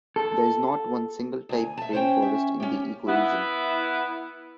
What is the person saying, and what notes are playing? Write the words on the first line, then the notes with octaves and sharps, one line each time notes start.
There is not one single type of rainforest in the ecoregion.
A4
D2 G#5
E5 A5
C#4 C5 C#5 G5
E5
C#4 G4
B3 E4